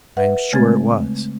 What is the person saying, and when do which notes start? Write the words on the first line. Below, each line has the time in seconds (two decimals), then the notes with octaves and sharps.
I am sure it was.
0.17 B4 E5 F#5
0.53 C#3 G#3 A3 C4 G#6 A6